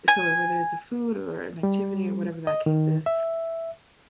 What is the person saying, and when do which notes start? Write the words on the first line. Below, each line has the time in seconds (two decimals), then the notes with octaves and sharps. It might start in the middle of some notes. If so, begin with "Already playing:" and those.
So, wh whether it's a food or an activity or whatever that case is,
0.08 G#5
1.63 G3
2.47 D#5
2.66 D#3
3.06 E5